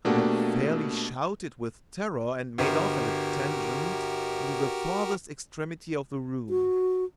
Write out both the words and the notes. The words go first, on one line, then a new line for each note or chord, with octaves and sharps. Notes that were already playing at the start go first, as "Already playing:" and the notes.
I fairly shouted with terror, and made off, at a tangent, into the farthest extremity of the room.
B2 A3 A#3 D4 F#4 G4
G1 F#4 G4 A#4
F#4